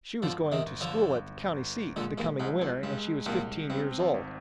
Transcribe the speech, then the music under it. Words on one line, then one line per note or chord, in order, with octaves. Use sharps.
She was going to school at the county seat the coming winter and she was fifteen years old.
G1 D3 F3
C3 D#3
G1
D3 F3
G1
G1
A#2 D3 G#3
G2 A#2
C2 G#2
F2
G2 G#3
C2 G2 A#2
G2 C4
F2
G#1